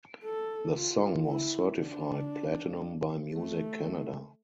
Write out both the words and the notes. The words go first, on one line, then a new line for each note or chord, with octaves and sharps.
The song was certified Platinum by Music Canada.
A4
F4
E4
D4
A3